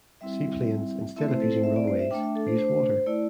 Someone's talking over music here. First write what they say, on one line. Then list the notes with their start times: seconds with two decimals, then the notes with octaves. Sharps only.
Seaplanes, instead of using runways, use water.
0.21 G3 C4 E4 E5
1.16 A3 C4 E4 E5
1.28 C5
1.40 A4
1.52 C5
1.64 E5
1.76 D5
1.88 C5
1.99 E5
2.11 A3 D4 G5
2.23 E5
2.35 A4
2.47 C5
2.59 C5
3.06 A3 E4 D5